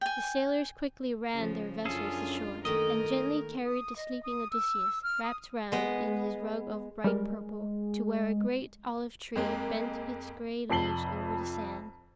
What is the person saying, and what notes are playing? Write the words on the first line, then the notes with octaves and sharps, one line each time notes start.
The sailors quickly ran their vessel ashore and gently carried the sleeping Odysseus, wrapped round in his rug of bright purple, to where a great olive-tree bent its gray leaves over the sand.
G5 G#5
C#3 F3
F#2 C#4 D4 F4 G#4 A4
D#3 A3 A#3 A#4 D#5
D#6
D#5
D#6
E6
F6
D#6
G#3 B3
G3 G#3 A#4
F2 G#3 A#3
F1 F2 A5 C7 F#7 G7